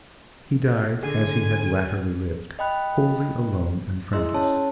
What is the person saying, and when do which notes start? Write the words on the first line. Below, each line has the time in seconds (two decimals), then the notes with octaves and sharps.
He died as he had latterly lived--wholly alone and friendless.
1.03 D3 G#4 G#5
2.59 D#5 G5 B5 F#6
4.13 E4 G#4 D#5 C6 E6
4.34 C#4 C#5 A5